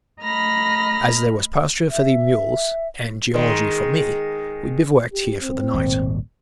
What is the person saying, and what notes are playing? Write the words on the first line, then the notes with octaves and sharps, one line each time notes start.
As there was pasture for the mules, and geology for me, we bivouacked here for the night.
A3 D#5 A#5 B5 F6 A#6
E5
D#3 G#3
G4
C4
D#1 G#1 B2